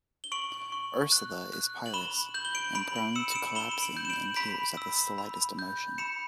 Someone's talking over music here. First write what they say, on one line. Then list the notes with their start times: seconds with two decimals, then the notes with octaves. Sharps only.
Ursula is pious and prone to collapsing in tears at the slightest emotion.
0.24 G7
0.32 C#6 D7 F#7
0.72 C#6
1.12 F#6
1.53 F#6
1.86 F#7
1.94 B5 E7 G7
2.34 G6 F#7
2.45 G7
2.55 D7 F#7
2.75 B5 D7 F#7
2.96 D7 F#7
3.15 E6 C#7 E7
3.31 E7
3.35 D7 F#7
3.55 B5 E7 G7
3.72 E7
3.83 D7 F#7
3.97 G6
4.05 E7
4.10 D7 F#7
4.36 B5 B6 D7
4.77 E6
5.18 B5
5.59 G6
5.98 B5 C#7 E7